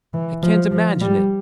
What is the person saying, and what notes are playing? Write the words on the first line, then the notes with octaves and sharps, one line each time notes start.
I can't imagine it.
E3
F3
F3
G3